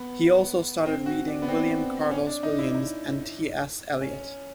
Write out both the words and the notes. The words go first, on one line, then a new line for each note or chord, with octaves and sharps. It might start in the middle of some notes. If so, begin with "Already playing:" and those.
He also started reading William Carlos Williams and T. S. Eliot.
Already playing: B3
C4
F#4
D4
B3
C4
C#4
D4
D#4
E4
D#4
C#4